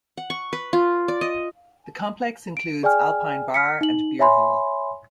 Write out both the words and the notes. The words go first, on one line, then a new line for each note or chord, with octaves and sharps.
The complex includes Alpine Bar and Bier Hall.
F#5
C#6
B4
F4
D5
D#5
D7
G#4 D5 G5 G#5 F6
F6 B6 C#7
D#4 F#7
C#5 E5 G#5 B5 C6